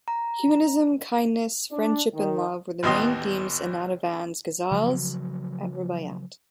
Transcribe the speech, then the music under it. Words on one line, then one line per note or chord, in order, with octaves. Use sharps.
Humanism, kindness, friendship and love were the main themes of Natavan's ghazals and ruba'yat.
A#5
D4
D#3
A1 D#2 B3 D#5 C6
C#3 F3 F#3